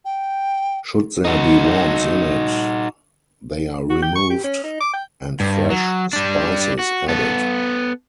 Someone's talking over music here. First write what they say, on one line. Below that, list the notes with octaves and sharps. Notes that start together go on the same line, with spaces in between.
Should there be worms in it, they are removed and fresh spices added.
G5
D#4 F#4
F#4
G5
C#6
G4
C#4
D#4
D6
G5
G2
F#3
G3 D4
F#4
B3 A4